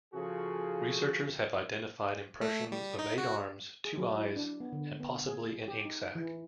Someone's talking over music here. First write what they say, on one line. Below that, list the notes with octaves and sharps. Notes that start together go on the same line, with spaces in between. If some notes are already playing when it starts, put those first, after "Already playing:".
Researchers have identified impressions of eight arms, two eyes, and possibly an ink sac.
C#3 F3 F#4 G#4 A4
A3
G3
D#4
F#4
G#4
F#3
E4
D4
B3
D3
B3
G#4
G4
D#4
E3